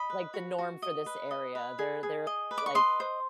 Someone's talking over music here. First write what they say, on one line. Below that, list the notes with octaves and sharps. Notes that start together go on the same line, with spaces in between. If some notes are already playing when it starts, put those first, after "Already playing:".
like the norm for this area. They're they're, like
Already playing: D#5 B5
B4
F#4
F#4
D#5
B4
D#5
B4
G#4
G#4
D#5
B4
D6
C#6
D#5 C6
C5